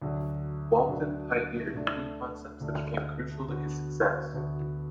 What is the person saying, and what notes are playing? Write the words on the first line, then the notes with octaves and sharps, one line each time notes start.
Walton pioneered many concepts that became crucial to his success.
D2 D3 F#3 D4 F#4
D2 D3 F#3 D4 F#4
D2 D3 A3 D4
D2 D3 A3 D4
D2 D3 B3 F#4
D2 D3 B3 F#4